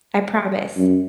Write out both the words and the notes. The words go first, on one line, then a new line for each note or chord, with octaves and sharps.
I promise.
F#2